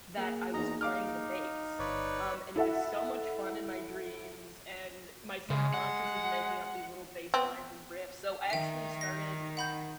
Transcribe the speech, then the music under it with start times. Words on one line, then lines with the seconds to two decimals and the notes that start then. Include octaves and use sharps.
that I was playing the bass. Um, and it was so much fun in my dreams and my subconscious is making up these little baselines and riffs. So, I actually started
0.18 A#3 G#4
0.54 E2 D#4 A#5
0.81 D#4 F5 D6 F6
1.79 G1 B4 C#5 D5
2.56 E4 A4 E5 F#5
5.50 C#3 G#3
5.74 F#5
7.34 B3 C4
8.50 D#3 E5 G5
9.01 A#6
9.57 F#5 B5 G6